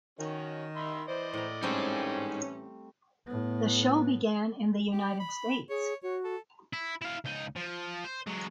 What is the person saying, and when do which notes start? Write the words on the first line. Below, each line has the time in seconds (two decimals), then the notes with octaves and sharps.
The show began in the United States.
0.19 D#3 C#4 F#4
0.76 E5 B5 C6
1.08 E3 C5 D5 D#5
1.34 A2 A#5
1.63 A2 E3 G3 A3 C4 C#4 D#4 G#4
3.26 A2 B3
4.92 G4
5.20 B5
5.69 G#4 C#5
6.03 F#4 C#5
6.24 A4
6.73 E4
7.02 E4 F5
7.25 C#2 D#4
7.56 F3
8.05 C5
8.27 F#3 G#3